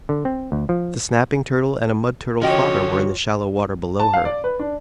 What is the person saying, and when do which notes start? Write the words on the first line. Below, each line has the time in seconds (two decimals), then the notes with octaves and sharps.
The Snapping Turtle and a Mud Turtle Father were in the shallow water below her.
0.09 D3
0.25 C4
0.52 D2
0.69 F3
2.41 D3 F3 C#4 F#4 G4 C#5 D#5 G5
3.99 A5
4.14 F5
4.25 D5
4.44 B4
4.59 D4